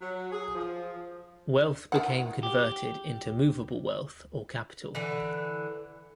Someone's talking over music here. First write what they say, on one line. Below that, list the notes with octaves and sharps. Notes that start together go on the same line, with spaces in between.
Wealth became converted into movable wealth or capital.
F#3
G#4
F3
D#3 E4 F#5
G4
D3 E3